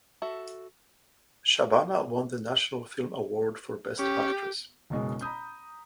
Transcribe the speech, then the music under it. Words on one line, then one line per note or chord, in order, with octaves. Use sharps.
Shabana won the National Film Award for Best Actress.
F#4 A4 E5
C#4 G4
F#1 B2 G#3 D#5
A#5 B5 D#6 G6